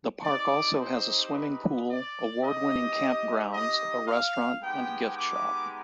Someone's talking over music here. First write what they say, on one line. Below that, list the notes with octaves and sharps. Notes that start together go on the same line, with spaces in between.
The park also has a swimming pool, award-winning campgrounds, a restaurant, and gift shop.
C4 D#4 G4 D5
C5
B4
D5
C4 D#4 G4 D#5
D#5
F5
G#3 B3 D#4 G4 G5
D6